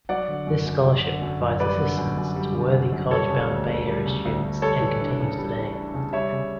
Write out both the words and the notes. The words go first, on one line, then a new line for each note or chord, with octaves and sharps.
This scholarship provides assistance to worthy college-bound Bay Area students, and continues today.
F#3 D5 F#5
D3
F#2
F#2
F#3
D3
F#2
F#2
G3 B4 D5
D3
F#2
F#2
G3
D3
F#2
F#2
G3 A4 C#5
C#3
D2
D2
G3
C#3
D2
D2
G3 A4 C#5
E3
D4
C#3
G3
E3
D4
C#3
G3 C#5 E5
C#3